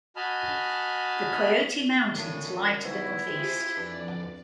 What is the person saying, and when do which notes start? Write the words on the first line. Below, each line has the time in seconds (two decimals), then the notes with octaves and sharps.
The Coyote Mountains lie to the northeast.
0.16 F#4 D#5 G#5 A5 B5 F6
2.14 F#2 A2 E3 D4
2.84 D#2 C3 B3 E4 C5
3.26 C3 G#3 F4 G4 C5
3.77 F2 E3 D4 D5